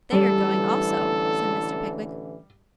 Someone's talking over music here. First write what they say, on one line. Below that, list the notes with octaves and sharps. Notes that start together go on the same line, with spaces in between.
'They are going also,' said Mr. Pickwick.
A1 D3 E3 G3 A4